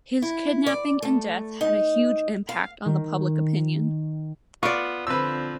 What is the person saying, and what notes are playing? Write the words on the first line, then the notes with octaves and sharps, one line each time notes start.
His kidnapping and death had a huge impact on the public opinion.
E4
D5
A3
D#4
F5
D#3
B3 F4 D5 C#6
D3 F3 C4 B4 E6